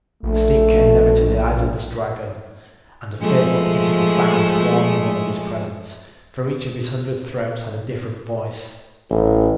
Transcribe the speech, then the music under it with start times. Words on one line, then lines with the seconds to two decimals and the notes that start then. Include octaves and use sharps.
Sleep came never to the eyes of this dragon and a fearful hissing sound warned one of his presence, for each of his hundred throats had a different voice.
0.23 A#1 A3
3.20 F3 G#3 A3
9.10 A1